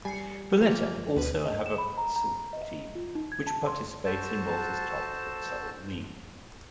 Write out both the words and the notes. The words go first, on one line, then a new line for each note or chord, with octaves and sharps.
Valletta also have a futsal team which participates in Malta's top futsal league.
G3 G#5 C7 C#7
F3 A#3
D2 B2 B4
D#5
E7
B5
A#5
A#5
D#5
F4
D#4
G#6
A5
C6
F#4 A4 C5 A5